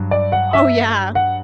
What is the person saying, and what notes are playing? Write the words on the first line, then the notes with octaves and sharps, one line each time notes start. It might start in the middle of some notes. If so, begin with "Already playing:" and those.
Oh yeah,
Already playing: G2 F#3
D5
F#5
E5
F#5